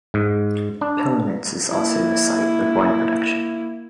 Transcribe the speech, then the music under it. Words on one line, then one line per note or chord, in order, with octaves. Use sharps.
Pillnitz is also a site of wine production.
G#2
D4
A#3 E4